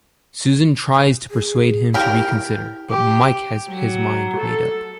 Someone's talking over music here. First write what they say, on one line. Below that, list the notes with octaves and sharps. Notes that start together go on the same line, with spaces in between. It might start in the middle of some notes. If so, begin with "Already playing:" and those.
Susan tries to persuade him to reconsider but Mike has his mind made up.
G#4
E4 G4 A#4
G4
F#3
A4